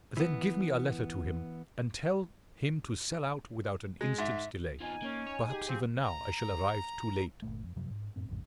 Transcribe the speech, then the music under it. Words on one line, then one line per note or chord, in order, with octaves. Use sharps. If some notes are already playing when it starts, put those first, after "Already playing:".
"Then give me a letter to him, and tell him to sell out without an instant's delay, perhaps even now I shall arrive too late."
E3 B3
G#3
G#2 E5
E2 D#4 F4 G#5
A#3 C#4
C#5
G4 G#4
F3 C4
A#5
G1 E2 A#2 A3
F2
F#2 C3 F3 F#3
G#2
F#2 A2 C4
A1 F2 G#2 C#3